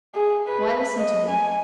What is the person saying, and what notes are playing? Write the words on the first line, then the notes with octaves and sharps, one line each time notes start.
Why listen to me?
G#4
B4
D#5
G#5